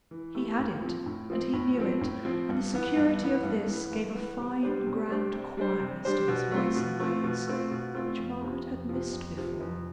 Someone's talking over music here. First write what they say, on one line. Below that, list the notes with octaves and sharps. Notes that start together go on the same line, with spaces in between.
He had it, and he knew it; and the security of this gave a fine grand quietness to his voice and ways, which Margaret had missed before.
E3
A3 E4 G4
A2
F3 C4
A2
F3 C4
A2
F3 C4
A2
F3 C4
G2
E3 B3
G2
E3 B3
G2
E3 B3
G2
E3 B3
C3
G3 D4 G4 C5
C3
G3 D4 G4 C5
C3
G3 D4 G4 C5
C3
G3 D4 G4 C5
B2
A3 C4 F4
B2
A3 C4 F4
B2
A3 C4 F4
B2
A3 C4 F4
F2
C3 F3
F2
C3 F3
F2
C3 F3
F2